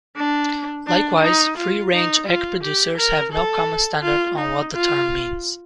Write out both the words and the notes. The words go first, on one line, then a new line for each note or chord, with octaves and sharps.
Likewise, free-range egg producers have no common standard on what the term means.
D4
D4
D#4
F4
D#4
F4
G4
A#4
A4
F4
D#4
F4